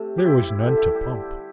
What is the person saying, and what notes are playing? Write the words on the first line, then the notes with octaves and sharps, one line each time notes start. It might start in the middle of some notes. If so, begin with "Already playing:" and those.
There was none to pump.
Already playing: C3 A3
G4
C4 E4
E4
D3 G4
G4
E4
G3 G4